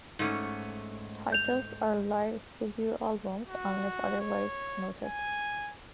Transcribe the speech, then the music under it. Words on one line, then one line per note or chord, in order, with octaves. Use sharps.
Titles are live studio albums unless otherwise noted.
G#2 A3 C#4
G6 F7
F#4
C#5
G#5